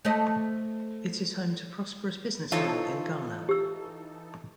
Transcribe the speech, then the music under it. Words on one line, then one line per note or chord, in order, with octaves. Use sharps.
It is home to prosperous business men in Ghana.
A3 C5 D#5
E3 D#4 F4 A4 C5 C#5
G4 E6